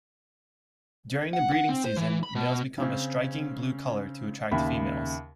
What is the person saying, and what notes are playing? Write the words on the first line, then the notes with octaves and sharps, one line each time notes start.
During the breeding season, males become a striking blue colour to attract females.
F#5
F#5
C4
C5
E3
B5
B2
C#3 C4 C#4
D#2 C#3 E5 B5